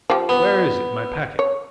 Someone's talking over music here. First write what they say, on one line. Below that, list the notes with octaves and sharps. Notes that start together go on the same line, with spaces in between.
"Where is it, my packet?"
F3 G4
B3
C#5